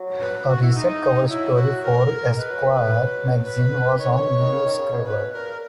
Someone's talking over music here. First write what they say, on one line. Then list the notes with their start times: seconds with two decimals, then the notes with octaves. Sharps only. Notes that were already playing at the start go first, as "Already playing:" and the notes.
A recent cover story for Esquire magazine was on Liev Schreiber.
Already playing: F#3
0.21 B4
0.45 E4
0.48 F#4
0.62 E4
0.75 G#3 D#4
1.20 G#3
1.29 F#3 E4
1.55 F#4
1.83 A#4
2.37 G#3 B4
2.50 F#3
2.77 G#3
2.90 F#3
3.44 B4
3.98 D#3 C#5
4.25 B2
4.40 D#3
4.52 C#3
4.65 D#3
4.78 C#3
4.92 B2
5.05 C#3 B4
5.19 C#3
5.25 B2
5.33 A#2 A#4